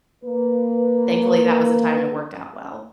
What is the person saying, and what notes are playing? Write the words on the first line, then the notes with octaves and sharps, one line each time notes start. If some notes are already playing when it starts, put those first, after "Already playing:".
thankfully, that was the time it worked out well.
A#3 B4